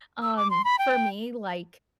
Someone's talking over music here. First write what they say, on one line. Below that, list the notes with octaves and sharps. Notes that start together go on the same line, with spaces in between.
Um, for me, like,
E6
D6
C6
B5
G5